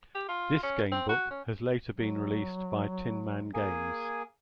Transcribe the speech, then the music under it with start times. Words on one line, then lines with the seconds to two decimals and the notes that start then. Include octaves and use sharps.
This gamebook has later been released by Tin Man Games.
0.15 G4
0.29 F4
0.63 C#4
0.92 C4
1.09 F#4
1.31 C#4
1.95 F#3
3.54 A#3 G#4 G#5